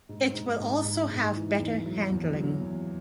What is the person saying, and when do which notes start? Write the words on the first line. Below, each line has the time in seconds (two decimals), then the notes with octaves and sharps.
It will also have better handling.
0.09 G#2
0.35 G#2
0.60 G#2
0.85 G#2
1.10 G#2
1.36 E3
1.60 E2
1.86 F#3
2.11 E2
2.35 F#3
2.60 E2